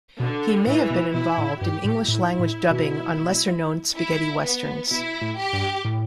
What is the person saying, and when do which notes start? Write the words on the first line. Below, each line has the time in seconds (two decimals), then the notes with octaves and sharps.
He may have been involved in English-language dubbing on lesser-known spaghetti westerns.
0.20 B2 D3
0.66 A2 E3
0.90 B2
1.14 B2 E4
1.38 A2
1.61 G2 G4
1.85 A2
2.08 A2 E4
2.39 A2
2.71 B2
3.96 E4
4.43 B3
4.90 B2 E4
5.21 A2
5.38 G4
5.53 G2
5.85 A2